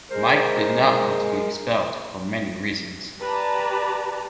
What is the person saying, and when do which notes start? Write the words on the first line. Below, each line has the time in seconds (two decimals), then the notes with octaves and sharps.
Mike did not want to be expelled, for many reasons.
0.11 G#3 A#4 C5
3.21 G4 B4 D5 A5 A#5